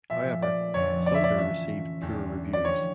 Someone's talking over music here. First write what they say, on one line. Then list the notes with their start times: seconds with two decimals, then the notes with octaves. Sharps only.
However, "Thunder" received poor reviews.
0.10 A#2 F3 A3 E5
0.43 D5
0.74 F2 D3 F3 C#4 C#5
1.06 D5
1.14 E5
1.24 D5
1.37 E3 A3 C#4 F4 E5
2.01 E2 D3 A3 C#4 G4
2.53 D5
2.65 D3 F3 C#4 G4 C#5